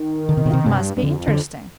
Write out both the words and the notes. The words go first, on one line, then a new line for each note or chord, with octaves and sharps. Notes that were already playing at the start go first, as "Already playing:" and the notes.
It must be interesting.
Already playing: D#3
D3
C3
B2
C3
G2 C3
G2
F2 D3
D3